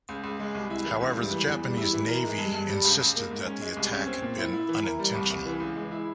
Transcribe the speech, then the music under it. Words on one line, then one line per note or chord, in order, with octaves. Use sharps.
However, the Japanese navy insisted that the attack had been unintentional.
C#2
C#2
G#3
C2
E4
E3
C#2
G3
E3
E2
G3
E4
E3
A#4
G#3
G2
G2
G3
C#2
C#2
A#3
G#2
C#4
G#3
C2
C#4
C4
A#2
E4
E4
E3
A#4
G3
C2
C2
E3
C#2
G#3
E4